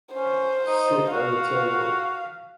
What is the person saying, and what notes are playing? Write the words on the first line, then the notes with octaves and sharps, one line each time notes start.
Sit at the table.
C#4 C5
D#4
F#4 F5